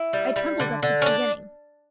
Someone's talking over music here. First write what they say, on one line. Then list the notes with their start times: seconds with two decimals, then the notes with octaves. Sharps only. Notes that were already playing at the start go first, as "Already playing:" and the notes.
I trembled at this beginning.
Already playing: E4
0.13 G3
0.36 G3
0.60 D3
0.83 D3
1.02 C#4
1.06 D4